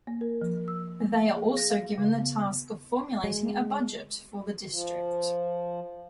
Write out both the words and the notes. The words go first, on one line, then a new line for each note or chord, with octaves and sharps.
They are also given the task of formulating a budget for the district.
A#3
A#4
F3
E6
A#3
F5
G#4
A#6
F5
C#3
B3
G#3
F3